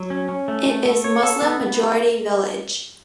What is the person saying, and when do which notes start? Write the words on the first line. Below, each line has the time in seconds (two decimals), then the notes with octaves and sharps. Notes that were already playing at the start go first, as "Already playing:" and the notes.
It is Muslim majority village.
Already playing: F#3
0.10 C#4
0.29 C#4
0.48 A3
0.66 A3
0.85 A3
1.04 C#5
1.23 A4
1.42 B3
1.61 B3